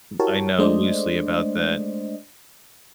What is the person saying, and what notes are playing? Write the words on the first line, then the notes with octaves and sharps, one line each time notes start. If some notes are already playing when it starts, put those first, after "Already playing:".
I know loosely about that.
E4 F#4 G4 A#4 C#5 A5
G#3 A3 D4 C5 D5 D#5